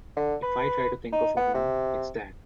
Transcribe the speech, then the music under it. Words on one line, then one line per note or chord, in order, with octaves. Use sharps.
If I try to think of a home, it's that.
D3
B4
D#4
B3
C3